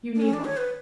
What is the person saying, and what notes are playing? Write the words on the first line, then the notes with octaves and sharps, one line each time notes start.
"You need one."
D4
C#4
D4
C#5
B4